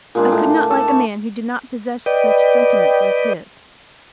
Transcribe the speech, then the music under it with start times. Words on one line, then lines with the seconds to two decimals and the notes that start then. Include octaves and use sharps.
I could not like a man who did not possess such sentiments as his.
0.15 A#2 G#3 D4
0.32 A2
0.70 A4
0.88 C#6
2.06 B4 D5 D#5 G5